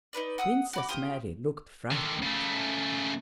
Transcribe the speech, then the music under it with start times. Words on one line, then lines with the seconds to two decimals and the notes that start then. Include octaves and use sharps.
Princess Mary looked frightened.
0.13 D#4 F4 B4 D5
0.38 F#5 D#6 E6
0.73 F#4 B5 D6
0.89 F4 G4 G5 D#6
1.91 D3 D#3
2.23 C#3 A3